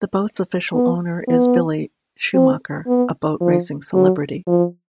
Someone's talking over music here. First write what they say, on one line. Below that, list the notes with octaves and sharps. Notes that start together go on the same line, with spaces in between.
The boat's official owner is Billy Schumacher, a boat racing celebrity.
B3
B3
C4
B3
F3
F#3
F3